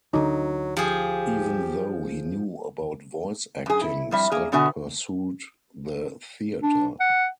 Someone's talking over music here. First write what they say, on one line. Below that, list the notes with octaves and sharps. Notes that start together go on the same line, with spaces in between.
Even though he knew about voice acting, Scott pursued the theater.
D2 D3 F#3 D4 D#4
F3 G4 G#4
F#2 G#4
E4
F2 G3 E5
A#3 G#4
B2 D3 B3 F#4 E5 G#5
D4
F#5